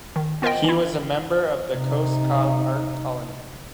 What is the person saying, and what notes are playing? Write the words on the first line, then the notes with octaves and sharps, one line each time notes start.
He was a member of the Cos Cob Art Colony.
D#3
B3 F4 A#4 C5 D#5 G5
E3 E4
C3 D#4